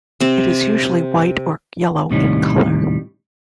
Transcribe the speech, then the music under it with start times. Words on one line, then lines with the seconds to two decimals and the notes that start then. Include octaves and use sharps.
It is usually white or yellow in colour.
0.20 C3 C4
2.10 D#2 A2 C3 G3 C#4 D#4